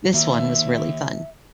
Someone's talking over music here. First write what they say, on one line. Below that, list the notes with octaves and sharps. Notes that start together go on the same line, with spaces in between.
This one was really fun.
D#3 A#3 E5